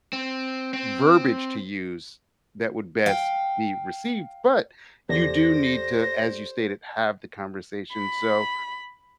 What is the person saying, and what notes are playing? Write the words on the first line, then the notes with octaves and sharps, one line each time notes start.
verbiage to use that would best be received, but you do need to, as you stated, have the conversation so,
C4
C4
F5 G5
E2 G4 A4 C5 D5 A#6
B5